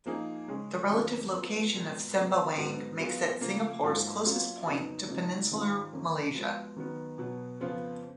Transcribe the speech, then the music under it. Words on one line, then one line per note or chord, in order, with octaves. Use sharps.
The relative location of Sembawang makes it Singapore's closest point to Peninsular Malaysia.
F3 A#3 D#4 G#4
C#3 G#3 C#4 G#4
F2 D#3 F#3 C#4
F3 B3 F4 A#4
A#2 G#3 B3 F#4 A#4
C#3 F#3 B3
G#2 F#3 B3 F#4 A#4
F#3 B3 F4 G#4
C#3 F3 A#3
G#2 F#3 A#3 C#4 F4
F#3 A#3 C#4 F4
F2 C#3 F#3 B3 D#4
C#3 F3 A#3 D#4
G#2 D#3 G#3 C#4 F4
F2 D#3 A#3 C#4
F3 G#3 B3 F#4
D#3 F#3 B3
B2 F#3 B3
F2 C#3 F3 B3 F4